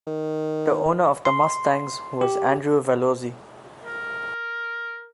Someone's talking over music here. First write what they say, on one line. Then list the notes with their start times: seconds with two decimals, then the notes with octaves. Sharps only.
The owner of the Mustangs was Andrew Vallozzi.
0.07 D#3
1.25 C6
2.21 G4
3.85 A#4